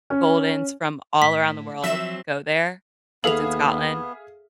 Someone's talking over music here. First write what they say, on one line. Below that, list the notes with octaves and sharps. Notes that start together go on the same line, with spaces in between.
goldens from all around the world go there, it's in Scotland.
C#4
A2 A3 B6
F3 F#3 C4 E5 E7
D#2 B3 G#4 A4 E5 F5 F7